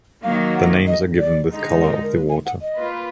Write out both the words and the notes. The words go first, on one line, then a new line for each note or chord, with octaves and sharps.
Their names are given with color of the water.
D#3 F#3 A#3 F5
F#5
D#5
D5
D3 G#3 D#4
A#4
A#4
B4
G#5
F#5
D#5
A#3 F4 B4